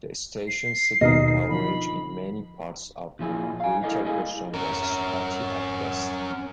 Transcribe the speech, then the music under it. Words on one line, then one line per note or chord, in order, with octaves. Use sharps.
The station's signal coverage in many parts of Greater Boston was spotty at best.
C7
D#2 B2 D#4 A#4 D#5
D3 F3 B5
A#2 F3 E4 G#4
F5 G#5
E4 A4 A#4 D5 D#5 F5
C2 G#3 E4 G#4 G#5
C#4 A#4